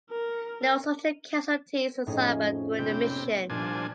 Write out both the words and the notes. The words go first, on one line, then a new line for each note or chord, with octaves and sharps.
No soldier casualties were suffered during the mission.
A#4
F2 A2 F3 C#4 D#4 G#4
C3 B3 G5
C2 A#2 F3 D4 G#5